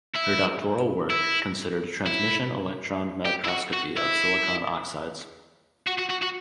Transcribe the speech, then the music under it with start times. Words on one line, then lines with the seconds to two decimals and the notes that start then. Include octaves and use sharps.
Her doctoral work considered transmission electron microscopy of silicon oxides.
0.15 E4
1.10 E4
2.06 E4
3.25 G4
3.44 E4
3.49 F#4
3.73 F#4
3.97 E4
5.88 F#4
5.99 F#4
6.10 F#4
6.23 F#4